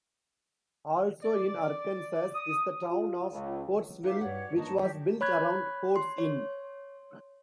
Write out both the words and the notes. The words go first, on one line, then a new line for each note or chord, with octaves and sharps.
Also in Arkansas is the town of Pottsville, which was built around Pott's Inn.
D5
D#6
F4
C#2
D#4 F#4 B4 E5 F5 D6
G2 C#5 D5 F#5
A#3 D4 D#4 A5 C#6
D3 D#3 F#3 G4
C#5 B5 F#6 G#6
C6
C#5